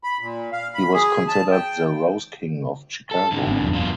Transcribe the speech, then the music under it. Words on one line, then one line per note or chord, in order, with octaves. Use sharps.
He was considered the "Rose King" of Chicago.
B5
A#2
F5
B5
G#4
A5
G5
A4
G#2 D3
G#1 C4
E1 F#2
B2 F4